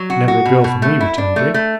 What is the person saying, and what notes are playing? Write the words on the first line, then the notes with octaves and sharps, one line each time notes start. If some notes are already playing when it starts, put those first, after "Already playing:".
"Never a girl for me," returned Dick.
Already playing: F#3
F#4
F#4
B2
B2
A3
E4
D4
A3
A3